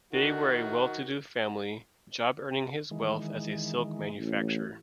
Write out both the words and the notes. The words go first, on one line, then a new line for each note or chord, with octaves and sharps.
They were a well-to-do family, Job earning his wealth as a silk manufacturer.
D#3 F#4
D#3 E3 G#3
A1